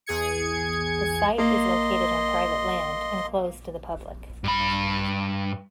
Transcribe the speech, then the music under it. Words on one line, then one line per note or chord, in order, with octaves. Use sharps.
The site is located on private land and closed to the public.
E2 G#4 G#6 C#7
A#3 D#5 C6
G2 B5